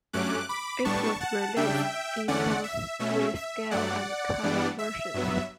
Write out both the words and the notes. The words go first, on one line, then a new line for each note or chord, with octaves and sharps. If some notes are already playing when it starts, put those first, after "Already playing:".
It was released in both greyscale and color versions.
G2 F#3 A3 C#4 D6 F#6
B5 D6
A2 G3 B3 D4 A5 C#6
F#5 A5
C#3 G3 D4 E5 G5
E2 D3 A3 C#4 D5 F#5
E5
B2 A3 C#4 E5
E5
G2 F#3 A3 D5 F#5
G2 E3 G3 B3 D4
E5
G2 F#3 B3